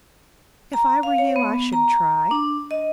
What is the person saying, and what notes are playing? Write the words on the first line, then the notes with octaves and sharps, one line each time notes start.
If I were you, I should try.
A#5
F5
C#5
B3
A#5
D4
D#5